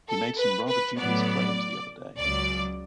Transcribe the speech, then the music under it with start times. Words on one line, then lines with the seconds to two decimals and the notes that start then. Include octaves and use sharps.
He made some rather dubious claims the other day.
0.08 A4
0.38 B4
0.68 B4
0.99 A2 F#3 B3 D5
2.18 C#2 C#3 F#3 D5